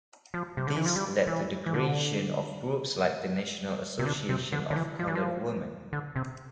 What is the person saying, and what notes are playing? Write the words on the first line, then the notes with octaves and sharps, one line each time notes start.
This led to the creation of groups like the National Association of Colored Women.
F3
C3
D3
E3
F3
G3
E3
E3
D3
C3
D3
C3
D3
D3
E3
F3
E3
F3
D3
C3